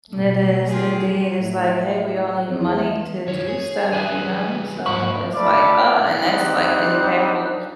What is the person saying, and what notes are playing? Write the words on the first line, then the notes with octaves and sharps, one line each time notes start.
It is, indeed, it's like, "Hey, we all need money to do stuff," you know? So, it's like, "Oh" and that's like impactful,
B2 A3
F4 G4 G#4
A2
E2
F#2 D#3 C#5
G#4
E3 G3 G#4 B4 G#5
G#2 A#3 A4 B4 F#5 C#6
A3 F4 D5 B5 D6
G3 C4 D4 D#4 F#5